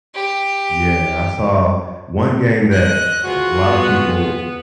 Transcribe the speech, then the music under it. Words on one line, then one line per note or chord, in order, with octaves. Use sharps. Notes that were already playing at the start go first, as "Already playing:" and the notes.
Yeah, I saw one game that, uh, a lotta people
G4
D#5 F#6
F4 F#4 G#4
B3